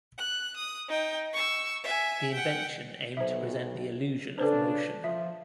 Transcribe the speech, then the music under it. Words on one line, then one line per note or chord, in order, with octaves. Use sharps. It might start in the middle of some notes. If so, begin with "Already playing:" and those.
The invention aimed to present the illusion of motion.
F#6
D#6
D#4 G5
C#6 E6
E5 G#5
F#5 G5
B1 C5 E5
C#3 D4 A4 B4 C5
F3 E5